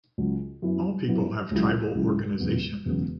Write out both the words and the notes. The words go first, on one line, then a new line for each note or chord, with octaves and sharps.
All people have tribal organization.
C#2 C#3 F#3
F#2 F#3 B3 E4
F#2 F#3 B3 E4
C#2 C#3 F#3 E4
C#2 C#3 F#3 E4
E1 E2 C#3 F#3 B3
E1 E2 C#3 F#3 B3